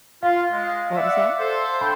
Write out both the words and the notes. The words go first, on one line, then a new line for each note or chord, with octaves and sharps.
What was that?
F4 F5
G#3
D5 E5 F#5
A4 C5
D4 G5 B5 C6